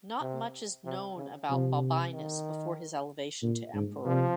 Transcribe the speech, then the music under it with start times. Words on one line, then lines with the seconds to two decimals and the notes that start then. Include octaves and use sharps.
Not much is known about Balbinus before his elevation to emperor.
0.21 C3
0.85 C3
1.17 C#3
1.49 C3 F3
2.13 D#3
3.42 A#2
3.74 G#2
4.06 C3 F3